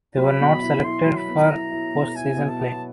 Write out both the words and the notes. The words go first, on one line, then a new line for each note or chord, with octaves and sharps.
They were not selected for postseason play.
F#3 B5
B2
E4
E4 C6
F#3
B5
B3
E4 A#5
E4
B2
E4 G#5
B2
A5
B3